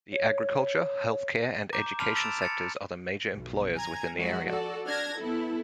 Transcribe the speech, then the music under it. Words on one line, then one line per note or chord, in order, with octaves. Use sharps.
The agriculture, healthcare and education sectors are the major employers within the area.
C#5
A#5 D6 G6
A5 B5 C6 D6 F6 F7
E6 A6 B6 D7 E7 F7
A6 C#7
B1
G#5 A#5 G#6
F3 F#3 G#3 F#4
F#4 A4 D5
D4 F6 G#6 A#6
B3 E4 A4